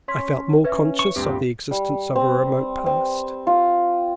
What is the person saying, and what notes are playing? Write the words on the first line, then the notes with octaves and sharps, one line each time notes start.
I felt more conscious of the existence of a remote past.
C#4 C#5 C6 B6
C#4 B4 E5
C#6
D2 G2 A#2 C4 G4
G3
C4
C4
F4